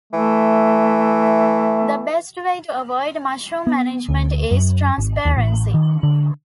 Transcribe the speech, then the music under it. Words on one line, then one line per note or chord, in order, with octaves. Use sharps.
The best way to avoid mushroom management is transparency.
E3 A3
B3
D2
F#2
G#1
D#2
A1
D#3
D3